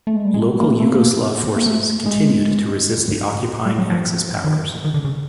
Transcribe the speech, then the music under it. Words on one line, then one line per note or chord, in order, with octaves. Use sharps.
Local Yugoslav forces continued to resist the occupying Axis powers.
A3
G#3
G3
G#3
A#3
A3
A3
A#3
A#3
A3
G#3
G3
F#3
F3
D#3
D#3
D3
C#3